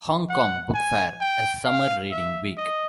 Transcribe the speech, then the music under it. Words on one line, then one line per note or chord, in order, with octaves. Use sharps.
Hong Kong Book Fair as Summer Reading Week.
F#5
G#5
G5
F5
E5
D#5